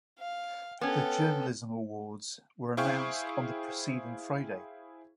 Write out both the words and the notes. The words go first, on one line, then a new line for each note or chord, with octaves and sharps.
The journalism awards were announced on the preceding Friday.
F5
B3 C#4 A4 G5
E4 G#4 C5 F5 G5 C#6